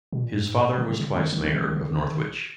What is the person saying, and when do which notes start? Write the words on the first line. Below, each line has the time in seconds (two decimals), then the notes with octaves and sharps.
His father was twice mayor of Northwich.
0.13 B2
0.24 A#2
0.34 G2
0.45 G#2
0.55 A#2
0.78 C#3
0.89 C#3
1.00 C#3
1.16 D#3
1.32 D#3
1.45 D#3
1.55 E3
1.66 D#3
1.76 C#3
1.88 D#3
1.99 C#3
2.10 D#3